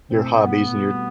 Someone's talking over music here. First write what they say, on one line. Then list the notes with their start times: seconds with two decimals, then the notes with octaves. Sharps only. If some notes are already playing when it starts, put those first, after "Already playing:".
your hobbies and your
0.11 B2 A3 C4 E4
0.43 B3
0.75 G3 C4 F#4